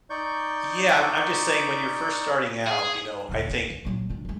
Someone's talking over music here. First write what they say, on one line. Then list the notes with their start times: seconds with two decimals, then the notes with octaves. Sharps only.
Yeah, I'm I'm just saying when you're first starting out, you know, I think
0.10 D#4 D5 C#6 G6
2.67 G#4
3.29 D#1 D2
3.50 D3
3.70 E2
3.85 A#2 F#3
4.10 D#3 D4
4.25 F3 G#3